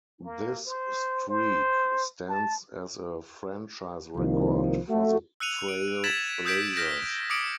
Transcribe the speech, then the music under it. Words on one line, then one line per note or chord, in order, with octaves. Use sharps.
This streak stands as a franchise record for the Trail Blazers.
A#3
C5
C5
A5
C2 D#3 F3 A#3
A3 F#4
E6 F#6 C#7 D#7 F7
D7
G#6 A6 B6 E7 F#7
D#6 E6 G6 G#6 B6 D7
F6 G6 A#6 D7
D6 D#6 C#7 D7 F#7